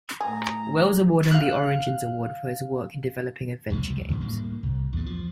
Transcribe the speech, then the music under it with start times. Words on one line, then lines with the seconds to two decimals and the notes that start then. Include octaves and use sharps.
Wells award and the Origins award for his work in developing adventure games.
0.20 A2 G#4 A#5
1.31 F5 F#6
3.70 F1 C#2 C3 G3
4.08 D2 G#2 D3
4.20 A2 G3 A#3
4.63 C2
4.93 E2 G2
5.06 F3